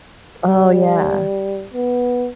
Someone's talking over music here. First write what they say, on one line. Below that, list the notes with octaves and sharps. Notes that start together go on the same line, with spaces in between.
Oh, yeah.
G3
B3